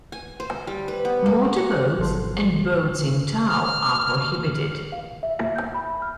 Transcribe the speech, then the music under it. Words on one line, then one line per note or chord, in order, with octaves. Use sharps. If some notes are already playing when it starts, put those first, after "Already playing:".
Motor boats and boats in tow are prohibited.
G#5
C5
G3
B4
B3
A#3
C#5
G#1 B2 F3 F#3 A4 C6
F6
F5
E5
E5
G6
B5
F6